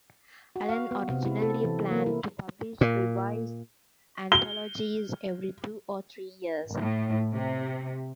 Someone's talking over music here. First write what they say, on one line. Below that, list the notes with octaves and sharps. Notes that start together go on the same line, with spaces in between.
Allen originally planned to publish revised anthologies every two or three years.
F#4
F5
B3
C3
E4
A4
E3
A#3
E4
A#2
G7
A2
C3